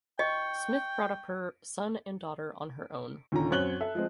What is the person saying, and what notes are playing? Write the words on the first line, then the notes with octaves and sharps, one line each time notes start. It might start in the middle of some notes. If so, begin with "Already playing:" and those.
Smith brought up her son and daughter on her own.
D#5 G5 C#6
D#2 A#2 D3 C#4 A#5
F#2 C4 C#5 F#6 F#7 G7
A4 E5
F3 G#3 C4